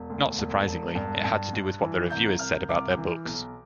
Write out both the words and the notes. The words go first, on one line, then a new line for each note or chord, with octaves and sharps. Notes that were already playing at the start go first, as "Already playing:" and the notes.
Not surprisingly, it had to do with what the reviewers said about their books.
Already playing: E1
D2
E1
E1
G2
G2
G2
E3
C2 G6
C2 F6
C2 D6
E3
B1